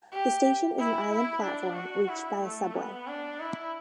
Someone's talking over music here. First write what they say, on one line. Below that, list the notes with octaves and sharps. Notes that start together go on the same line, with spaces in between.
The station is an island platform reached by a subway.
G4
E4
E4
D4
F#4
E4
A3
B3
D4
E4